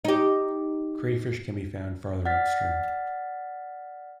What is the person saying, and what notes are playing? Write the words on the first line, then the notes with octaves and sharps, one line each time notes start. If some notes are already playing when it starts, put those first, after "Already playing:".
Crayfish can be found farther upstream.
D#4 G4
D5 F#5 F6 A6 B6